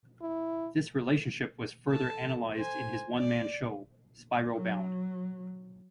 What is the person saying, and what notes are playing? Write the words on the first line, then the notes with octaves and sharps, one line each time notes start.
This relationship was further analyzed in his one-man show "Spiral Bound".
E4
A4 A5
C5 G#5
D5
F#3